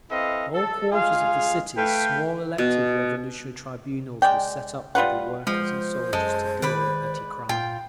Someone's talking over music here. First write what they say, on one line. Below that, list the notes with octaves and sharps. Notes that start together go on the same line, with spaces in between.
In all quarters of the city small elective Revolutionary Tribunals were set up by the workers and soldiers to deal with petty crime....
C4 E4 A4 B4 D#5 F5
A4
G#3 F4 G#4 F5
A3 B4 F5 G5
B2
G#3 D5 G5
G3 F4 B4 F#5
F3 G#3 C5
F#2 G#3 A4
D#3 B4 D5 B5
A#2 F4 G5